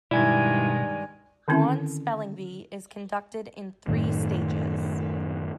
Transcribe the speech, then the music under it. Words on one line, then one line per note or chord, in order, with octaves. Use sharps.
Dawn Spelling Bee is conducted in three stages.
G2 B2 D#3 G#3 E4 D5 G#5 G#6
D3 D#3 C4 C#4 E4
F#2 A2 D#3